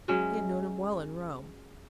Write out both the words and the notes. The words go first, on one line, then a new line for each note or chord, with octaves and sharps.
He had known him well in Rome.
F#3 G#3 C#4 E5